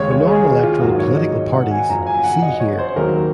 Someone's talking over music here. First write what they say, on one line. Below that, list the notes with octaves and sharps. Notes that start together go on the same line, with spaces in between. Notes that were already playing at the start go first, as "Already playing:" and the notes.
For non-electoral political "parties", see here.
Already playing: D#2 C#3 G#3 C#5
C#5
G#4
F4
G#1 G#2 F#3 A#3 F#4
C#5
D#5
F#5
G#5
F#1 F#2 C#3 F3 A#5
G#5
F#5
D#5
C#5
C5
D#2 D#3 F#3 A#3 A#4